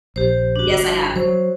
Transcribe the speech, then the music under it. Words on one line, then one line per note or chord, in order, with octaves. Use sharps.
Yes, I have.
A#1 G4 C5
D4 F#4
G1
F#3 C5